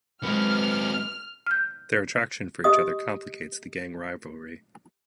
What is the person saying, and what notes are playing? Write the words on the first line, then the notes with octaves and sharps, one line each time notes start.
Their attraction for each other complicates the gang rivalry.
F#3 G#3 C4 B4 F6
F6 G6
G4 D#5 D#6